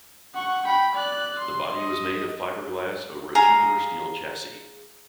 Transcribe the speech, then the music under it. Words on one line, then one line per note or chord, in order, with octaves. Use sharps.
The body was made of fiberglass over a tubular steel chassis.
F#5 C#6
G5 B5
D5 F#6
C6
D#5
G#4 F5 A#5